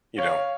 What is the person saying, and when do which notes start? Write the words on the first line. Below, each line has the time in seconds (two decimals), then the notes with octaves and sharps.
you know
0.18 C#5 F5